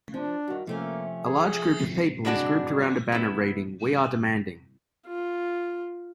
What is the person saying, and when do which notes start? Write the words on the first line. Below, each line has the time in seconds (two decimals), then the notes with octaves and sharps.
A large group of people is grouped around a banner reading We are demanding .
0.14 F3 D4
0.48 G2 D#3 F#4
0.67 C3 F3 A3 A#3 C#4
1.25 G#4
2.25 G3 G#3 D4 F#4 D5
3.12 B3 E4
5.07 F4